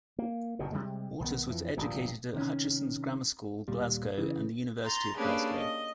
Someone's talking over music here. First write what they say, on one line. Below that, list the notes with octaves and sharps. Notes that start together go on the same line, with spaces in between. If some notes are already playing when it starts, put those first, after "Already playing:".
Waters was educated at Hutchesons' Grammar School, Glasgow and the University of Glasgow.
A#3
F#1 F#2 B2 D3
C3 D#3 G3 G#3
B1 D#3 B3
F2 E3
D1 A#1 G2 A#2
C3 D#3 C#4
D#2 A#2 G3
C#3 E3
A#5 C6 G6 A6
A#3 C#4 D4 G4 G#4 B4
D#5